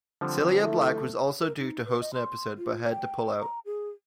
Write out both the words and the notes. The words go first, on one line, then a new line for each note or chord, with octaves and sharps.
Cilla Black was also due to host an episode, but had to pull out.
D3 F3 G3 C4
A3 E4
A#4
D#4
B4
D#5
C6
F4
G5
A#5
G#4